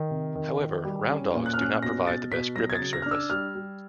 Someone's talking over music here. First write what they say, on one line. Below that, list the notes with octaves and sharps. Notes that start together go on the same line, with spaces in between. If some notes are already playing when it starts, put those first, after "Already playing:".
However round dogs do not provide the best gripping surface.
Already playing: D#3
C3
D#3
D#3
G3
C#4
A#2
F#6
F6
C#4 F#6
B2 A#6
B2 A6
B2 B6
F#3 A#6
G#6
A6
C#3
A#6
D4 F6
E6
G3 F6
G3